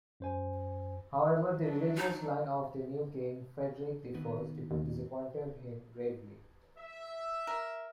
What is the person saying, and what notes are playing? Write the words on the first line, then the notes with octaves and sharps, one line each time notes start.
However the religious line of the new king, Frederick the First, disappointed him gravely.
F#2 C5 G#5
F#3 D4
D#4
D#3 B3
D#2
E5
A#4